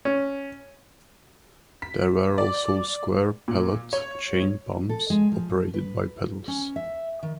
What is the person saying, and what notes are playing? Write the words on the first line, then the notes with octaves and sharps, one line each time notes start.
There were also square-pallet chain pumps operated by pedals.
C#4
B6
D5
A#2
C#5
A4
G#3
F3
B4
C#4
E5
D#3